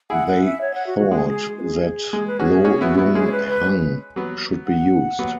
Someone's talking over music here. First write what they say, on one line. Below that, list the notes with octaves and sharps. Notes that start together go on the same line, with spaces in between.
They thought that Lo Lung Hang should be used.
E4 G#4 F#5
F#5
E5
C#5
F#5
F#4
F#4
G#3 G#4
G#4
B4
G#4
G#3 G#4
B4
C#4 F#4 G#4
C#4 F#4 G#4
B3 E4 F#4
B3 E4 F#4
G#3 C#4 G#4
C#5
B4
B4
F#3 B3
F#5
F#3 B3